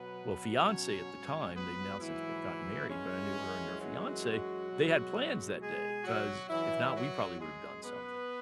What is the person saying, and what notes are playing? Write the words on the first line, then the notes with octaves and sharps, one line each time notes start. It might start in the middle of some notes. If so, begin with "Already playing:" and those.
well, fiancé at the time, they've now since been gotten married, but I knew her and her fiancé, they had plans that day 'cause if not, we probably would have done something.
Already playing: B2 F#3 B3 B4
C#4 C#5
G#2 F#3
B3 B4
E3 E4
F#2 E3 G#3 C#4
F#3 F#4
B2 G#3
G#3 G#4
F#3 F#4
F#2 E3 F#3 E4
F#3 F#4
G#3 G#4
B3 B4